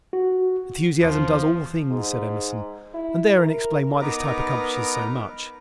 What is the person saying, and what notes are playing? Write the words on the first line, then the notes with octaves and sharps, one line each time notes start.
"Enthusiasm does all things" said Emerson, and therein explained why this type accomplishes so much.
F#4
D#2 E3 F3
G#2
E4
A#4
B3 D#4 A#4 B4 A#5 D6